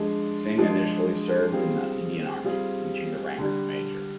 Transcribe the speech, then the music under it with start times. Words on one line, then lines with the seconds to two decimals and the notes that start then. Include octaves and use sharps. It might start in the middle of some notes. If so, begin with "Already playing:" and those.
Singh initially served in the Indian Army, reaching the rank of Major.
Already playing: F3 G#3 D4 G#4
0.58 F3 G#3 D4 G#4
1.52 G3 C4 F4 G#4
2.44 G3 C4 F4 G#4
3.38 D3 G3 D4